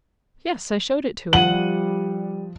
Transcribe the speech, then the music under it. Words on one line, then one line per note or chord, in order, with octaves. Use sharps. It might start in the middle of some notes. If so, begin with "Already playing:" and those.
"Yes; I showed it to him."
F3 G3 F#5 D#7 F#7